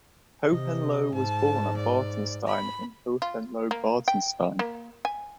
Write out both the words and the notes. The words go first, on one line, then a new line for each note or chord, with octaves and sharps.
Hohenlohe was born at Bartenstein in Hohenlohe-Bartenstein.
C3 D#5
G#2 A5
D5
B5
F4
A#3
G5
A#3
G#5